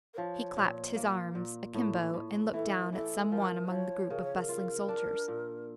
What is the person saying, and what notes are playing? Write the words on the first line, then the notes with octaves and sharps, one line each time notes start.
He clapped his arms akimbo and looked down at some one among the group of bustling soldiers.
A#4
F3 C#5
A#2
A#3
A#2
A2
A2
E3 A4
A#4
E3 A4
F3 A#4
F3 C#5
C#3 A#4
C#5
A#4
F4
D4
A#2